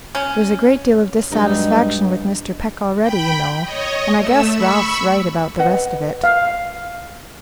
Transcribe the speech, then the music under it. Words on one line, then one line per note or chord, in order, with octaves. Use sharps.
"There's a great deal of dissatisfaction with Mr. Peck already, you know, and I guess Ralph's right about the rest of it."
C#4
G2 F#3 G#3 D#4
G5 B5
C#5 D#5
A3 E6
B5 C#6 E6
B4 D#5 F#5
F5